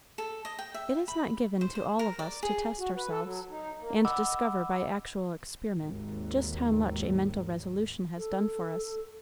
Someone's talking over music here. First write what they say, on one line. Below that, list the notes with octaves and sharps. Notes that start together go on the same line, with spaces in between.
It is not given to all of us to test ourselves, and discover by actual experiment just how much a mental resolution has done for us.
A4
D#5
G5
E5
B5
C5
C5
A#4
D5
G#4
F#4
B4
A4
F#3
D#4
A#3
D#5 F#5 B5 D6 E6
G#1 D#2
A4